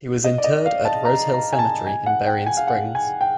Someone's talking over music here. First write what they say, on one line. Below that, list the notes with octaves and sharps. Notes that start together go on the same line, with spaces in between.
He was interred at Rose Hill Cemetery in Berrien Springs.
D#5
D5
D#5
F5
A5
A#5
A#5
G#5
A5
G#5
F#5
G5
G#5
F5
F#5
G#5
G5